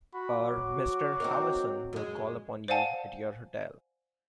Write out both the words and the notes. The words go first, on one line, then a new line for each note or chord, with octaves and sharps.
Our Mr Howison will call upon you at your hotel.
F#4 B5
F#3 F#4 D6
C4 D#4 A#4
F#2 G#3
C5 D5 F5 F#5 G#5 A5